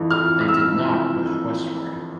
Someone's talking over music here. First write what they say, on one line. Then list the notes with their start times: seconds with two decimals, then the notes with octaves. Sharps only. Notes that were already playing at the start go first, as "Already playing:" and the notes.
They did not push westward.
Already playing: F2 E3
0.10 F6
0.41 F6
0.48 E6